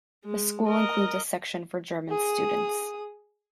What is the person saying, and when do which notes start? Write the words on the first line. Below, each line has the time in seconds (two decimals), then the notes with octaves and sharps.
The school includes a section for German students.
0.25 G#3
0.68 A#4 D#5
2.09 G#4 D#6